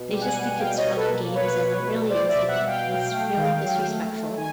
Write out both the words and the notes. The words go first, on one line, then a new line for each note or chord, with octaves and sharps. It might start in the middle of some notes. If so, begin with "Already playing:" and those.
They just think it's fun and games, and it really isn't. It's really disrespectful.
Already playing: B2
G3
F#5 G#5
B2
G#5
G3 F5 G5
C#5 D#5
B2
A4 B4
A#3
B2 B4 C#5
B2
G3
G3 C5 D5
D5 E5
B2
E5 F#5
B2
F5 G5
F#3
A3
D#3
F#3
A3
A3
D#3 G#5